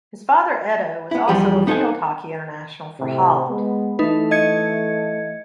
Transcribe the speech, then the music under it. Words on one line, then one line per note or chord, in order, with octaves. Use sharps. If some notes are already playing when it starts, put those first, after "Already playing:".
His father Edo was also a field hockey international for Holland.
B3 E4
E2 F3 G3 G#4
B3 D#4 A4 C#5 F#5 G#5
A2 C3
G#3 B3
E3 A3 D#4 B4
D#5 G#6 C#7